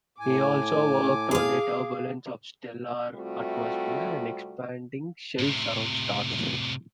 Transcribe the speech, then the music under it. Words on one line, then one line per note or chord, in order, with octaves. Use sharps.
He also worked on the turbulence of stellar atmosphere and expanding shells around stars.
A2 G#5 D6
G#4 F5
C3 G3 A3 C4 F4 F#4
A2 C3